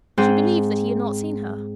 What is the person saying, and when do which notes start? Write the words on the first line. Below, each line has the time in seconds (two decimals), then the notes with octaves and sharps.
She believed that he had not seen her.
0.18 G#2 C4 G#4 C5 G5 F#6